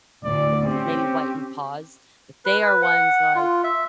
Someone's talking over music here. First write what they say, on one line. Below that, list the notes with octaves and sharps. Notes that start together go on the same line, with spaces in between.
with l maybe whitened paws. But they are ones, like
D2 A2 D5
C4 C#4 G4
B4
B4
F#5
F4
E5